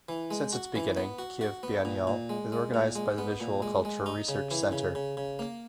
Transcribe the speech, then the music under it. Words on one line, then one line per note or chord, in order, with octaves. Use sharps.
Since its beginning Kyiv Biennial is organized by the Visual Culture Research Center.
E3
G#3
F#4
E3
B3
F#4
F#4
B3
A#2
A#2
G#3
G#3
A#2
G#3
B3
A#2
G#3
G#3
D#4
C#3
E3
C#3
C#3
C#3
A#3